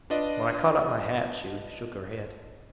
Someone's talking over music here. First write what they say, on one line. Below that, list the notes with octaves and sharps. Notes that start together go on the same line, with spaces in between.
When I caught up my hat she shook her head.
D4 F4 B4 D5 D#5